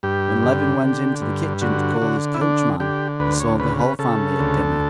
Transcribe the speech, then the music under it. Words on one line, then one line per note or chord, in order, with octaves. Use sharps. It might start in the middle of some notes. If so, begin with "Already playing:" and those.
When Levin went into the kitchen to call his coachman he saw the whole family at dinner.
G2 G4
D3
D3
G2
D3 F#4
D3
E4
D3 D4
D3 G4
D2 B4
C#5
C#3 B4
B4
C#3 A4
D2